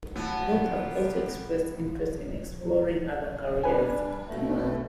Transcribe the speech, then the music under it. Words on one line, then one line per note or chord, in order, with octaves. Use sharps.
Both have also expressed interest in exploring other careers.
A2 E3 F#3 B3 F4 G4 F#5 A5
G3 D4 B4 G#5
B2 A3